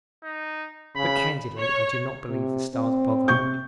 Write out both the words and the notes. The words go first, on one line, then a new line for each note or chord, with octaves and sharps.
But, candidly, I do not believe the stars bother.
D#4
C#3 B5
C#5
C3
C4
C3 C#6 G6